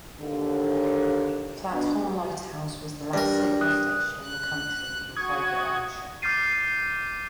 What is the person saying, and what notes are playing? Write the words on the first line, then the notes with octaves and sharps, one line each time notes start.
Flat Holm Lighthouse was the last signal station in the country in private ownership.
D#2 D3
B2 D4
G2 D4 A#4
D#6 F#6
F#6
F#4 C#6 D#6 G#6
D6 F6 G6 A6 C7 D#7